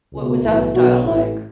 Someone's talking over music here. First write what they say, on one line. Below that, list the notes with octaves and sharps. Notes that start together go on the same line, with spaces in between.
what was that style like?
C#2 B2
B1 A2 E3 E4
B2 F#4
B1
A1 A2 E3 E4